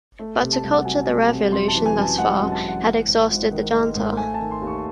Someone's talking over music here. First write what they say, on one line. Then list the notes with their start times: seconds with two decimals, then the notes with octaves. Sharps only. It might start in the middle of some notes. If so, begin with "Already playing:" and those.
But to culture the Revolution thus far had exhausted the Junta.
0.19 A3
0.41 C3
0.53 A5
0.63 C2
0.73 F#5
0.85 F#3 G#5
1.07 A3
1.19 A5
1.30 C3
1.52 F#2 C6
1.68 A5
1.75 E3
1.86 G#5
1.96 F#2 A5
2.18 G#3 F#5
2.35 F#5
2.41 F#2
2.52 A5
2.63 E3
2.68 F#5
2.85 G#3
3.06 G#2
3.30 G#1
3.51 D#3
3.73 G#3
3.95 G#2
4.17 A3 G#5
4.34 D#3 A5
4.51 C6
4.61 D#2
4.67 C#6